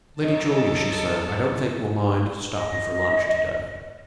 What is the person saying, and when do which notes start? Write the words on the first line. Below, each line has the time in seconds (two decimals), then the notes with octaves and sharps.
"Lady Julia," she said, "I don't think we'll mind stopping for lunch to-day."
0.21 F#2 D#4 A4 C#5 D#5
2.53 D#5